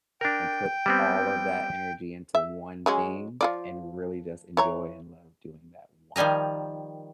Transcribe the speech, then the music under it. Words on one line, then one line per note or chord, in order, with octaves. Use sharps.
and put all of that energy into one thing and really just enjoy and love doing that one
D4 A#4 G5
G3 B3 C4
E5
F#3 G#3 C#4
F3 F4 D5
E3 C#5 A#5
D#3 F3 G3 G#5 A#5